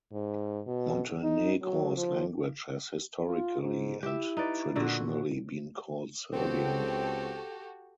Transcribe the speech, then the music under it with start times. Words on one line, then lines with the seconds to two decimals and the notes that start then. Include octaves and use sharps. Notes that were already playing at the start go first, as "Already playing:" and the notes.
Montenegro's language has historically and traditionally been called Serbian.
0.13 G#2
0.67 B2
1.23 D#4
1.62 F#3
1.97 F3
3.27 F4
3.61 G#2
4.03 E4 G4 E5
4.37 D#4 B4 D5
4.76 A#2 D3 F#4
6.33 C#2 C4 F#4 G4 A4